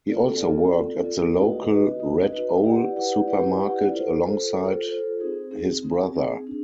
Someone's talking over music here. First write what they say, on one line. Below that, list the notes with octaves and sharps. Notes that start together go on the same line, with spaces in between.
He also worked at the local Red Owl supermarket alongside his brother.
C4 F4 A4 D5
C4 F4 A4 D5
C4 F4 A4 D5
C4 F4 A4 D5
D#4 F#4 B4 D#5
D#4 F#4 B4 D#5
D#4 F#4 B4 D#5
D#4 F#4 B4 D#5
E4 G4 B4 D5 F#5
E4 G4 B4 D5 F#5
E4 G4 B4 D5 F#5
E4 G4 B4 D5 F#5
F4 A4 C5
F4 A4 C5
F4 A4 C5
F4 A4 C5
C4 D#4 G#4
C4 D#4 G#4
C4 D#4 G#4
C4 D#4 G#4
D4